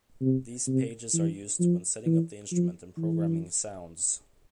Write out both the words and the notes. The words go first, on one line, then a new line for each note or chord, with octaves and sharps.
These pages are used when setting up the instrument and programming sounds.
C3
C3
E3
F3
E3
F3
E3